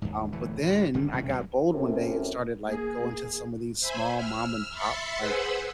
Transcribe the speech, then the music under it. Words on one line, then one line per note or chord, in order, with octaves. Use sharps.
um, but then I got bold one day and started, like, going to some of these small mom and pop, like
D#2 G#2
D1 E3 A3
A2 D3
G#1 D3 D#3 G3
E1 C2 C3 C#4
A#1 F#2 B2 G#3
F#2 A2 C3 C4 C#4
A#3 G#4
C5 E5 G#5 B5
E6 F6
E5 B5 C6 A6 B6 C#7
G#4 B4 C5 F#5 B5 E6